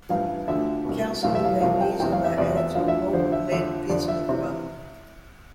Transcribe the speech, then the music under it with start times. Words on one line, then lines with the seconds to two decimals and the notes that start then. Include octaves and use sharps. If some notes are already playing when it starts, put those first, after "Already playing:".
Calcium and magnesium are added to a molten lead-bismuth bath.
0.09 A1 G2 F3 F5
0.48 D2 D3 F3 E5
0.85 C2 B2
1.23 B1 A2 E3 F5
1.35 E5
1.45 F5
1.61 C2 C3 F3 F5
1.81 G5
2.00 E2 C3 E3 G5
2.12 F5
2.24 E5
2.37 E2 C3 F3 D5
2.57 E5
2.75 D2 D3 F3 F5
2.88 E5
3.13 F2 D3 F3 C5
3.32 E5
3.52 F2 D3 F3 E5
3.89 F2 D3 F3 D5
4.08 E5
4.29 C3 E3